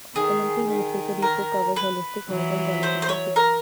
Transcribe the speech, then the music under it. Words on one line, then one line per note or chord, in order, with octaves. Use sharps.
The monthly newspaper "Echo" covers holistic health and related topics.
D#3 G#4
D#3
A#4
B4
E3 F#3
C5
C5
C#5
A#4